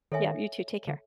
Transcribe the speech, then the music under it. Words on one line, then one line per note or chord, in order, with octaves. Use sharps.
Yeah, you too. Take care.
D#3 A4 C#5 E5 G#5
D3